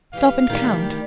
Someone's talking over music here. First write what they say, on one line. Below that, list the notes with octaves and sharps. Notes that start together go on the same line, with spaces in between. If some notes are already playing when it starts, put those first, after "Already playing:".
Stop and count.
E3 G3 G4 F5
D2 D#3 G3 D4 G4